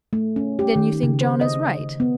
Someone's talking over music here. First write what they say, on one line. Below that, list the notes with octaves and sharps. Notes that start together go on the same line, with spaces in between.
"Then you think John is right?"
A3
C#4
G4
D#3
C#3
C5
D#5
B3